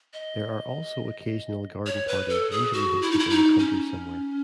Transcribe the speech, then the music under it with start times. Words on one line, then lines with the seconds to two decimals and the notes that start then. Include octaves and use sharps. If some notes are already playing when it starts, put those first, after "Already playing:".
There are also occasional garden parties usually hosted in the country somewhere.
0.14 D#5
1.86 C#5
2.08 B4
2.30 A4
2.51 G#4
2.73 F#4
3.02 E4
3.11 D#4
3.19 E4
3.30 D#4
3.59 C#4